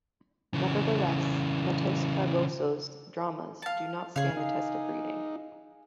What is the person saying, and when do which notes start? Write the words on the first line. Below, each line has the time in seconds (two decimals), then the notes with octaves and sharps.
Nevertheless, Matos Fragoso's dramas do not stand the test of reading.
0.53 C#3 E3
3.62 F5 A5
4.16 C#3 G#4 F5
4.37 D#4